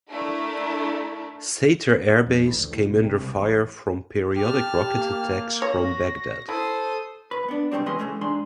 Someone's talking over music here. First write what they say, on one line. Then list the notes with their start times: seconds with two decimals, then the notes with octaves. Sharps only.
Sather Air Base came under fire from periodic rocket attacks from Baghdad.
0.10 A3 D4 E4 A#4
2.27 F2
2.44 A1
2.57 D2
2.71 A2
2.86 B1
3.03 C3
3.21 C2
3.35 A1
4.35 G4 A5 F6
4.96 A#3
5.62 F#4 C#5 A#6
6.49 E4 A4 C5 D#6
7.31 B4
7.48 B3 D4
7.72 G#2 B2 D#3 G3 C4 D4
7.86 E3 G#3 C#4 B4 D#5 C6
7.99 E3 F#3 G#3 A3 C#4
8.21 G#2 G#3 D4 C6